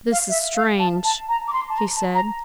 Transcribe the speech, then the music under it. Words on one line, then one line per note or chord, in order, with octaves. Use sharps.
"This is strange!" he said.
F5
E5
F5
A5
A5
A#5
D6
C6
A5
A#5
A5
A#5